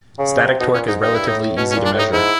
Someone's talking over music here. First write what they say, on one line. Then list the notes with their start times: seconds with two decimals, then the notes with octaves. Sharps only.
Static torque is relatively easy to measure.
0.19 C#3
0.46 C3
0.60 B2 D#4
0.74 A#2 C#4
0.87 G#2 D#4
1.01 G2 D#4
1.14 E4
1.27 A2 D#4
1.57 B2 C#4
1.71 C#4
1.76 A#2
1.85 D4
1.93 A2
1.99 D#4
2.12 G#2 E4